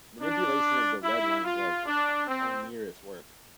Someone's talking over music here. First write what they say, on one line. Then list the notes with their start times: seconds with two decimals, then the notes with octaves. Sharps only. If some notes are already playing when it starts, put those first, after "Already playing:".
Manipulation of the lead-lined gloves was onerous work.
0.21 D4
1.04 E4
1.45 F4
1.86 D4
2.27 C4